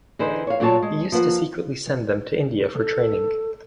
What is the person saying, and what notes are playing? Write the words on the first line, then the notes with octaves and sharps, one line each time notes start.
He used to secretly send them to India for training.
D3 E3 D#4 G#4 B4 C5
C#5 F5
A#2 F#3 A#3 C#5 D5 A5
G#3
F3 A#3 B4 F#5
A4